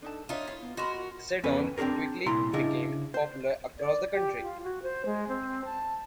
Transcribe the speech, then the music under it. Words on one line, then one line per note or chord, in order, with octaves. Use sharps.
Seddon quickly became popular across the country.
D4 D#4 A4 A5
D4 D#4 F4 C#5 E5
E4 F4 F5
B3
F#4 A#4 D#5 B5 C6
F4
F2 B3 C#4 A4 B4 G#5
C4 D4 F#4 G#4 A#4
C2 A#2 E4 A#5 C6
C#3 D4 E4 D#5
C5
D5
G4
F4
F#4
C5
G#3
C4
A5